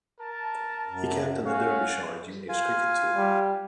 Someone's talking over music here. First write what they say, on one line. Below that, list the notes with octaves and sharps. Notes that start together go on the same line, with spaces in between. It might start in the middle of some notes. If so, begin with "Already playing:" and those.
He captained the Derbyshire Juniors Cricket Team.
A#4 A5
F#2
C#4 F#4 C#5 F5
F4 F5 G#5
G3